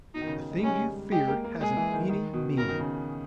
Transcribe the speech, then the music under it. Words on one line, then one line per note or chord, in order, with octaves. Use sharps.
The thing you feared hasn't any meaning.
B2 D#4
D#3
C#3
D#3
G#3
G3
G#3 C#4
G#3 G4
A#3
A#3
G#3 G#4
E3
D#3
D#3
B2
C#3 A#4
D#3
C#3